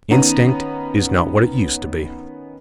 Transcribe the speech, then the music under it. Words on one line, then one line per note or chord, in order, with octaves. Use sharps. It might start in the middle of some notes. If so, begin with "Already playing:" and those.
Instinct is not what it used to be.
D#3 B3 C#4 A#5 D#7